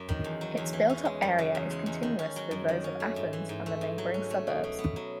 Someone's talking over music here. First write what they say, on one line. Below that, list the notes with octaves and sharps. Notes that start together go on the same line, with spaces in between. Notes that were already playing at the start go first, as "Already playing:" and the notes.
Its built-up area is continuous with those of Athens and the neighbouring suburbs.
Already playing: F#2 C#4
D#3
E2
F#3
E2
E3
C#4
G#3
F#2
C#3
E2
G#3
E2
D#3
C#4
F#3
F#2
D#3
C#4
A3
G#2
E3
G#2
A3
G#2
F#3
C#4
A3
B2
B2
B3
F#3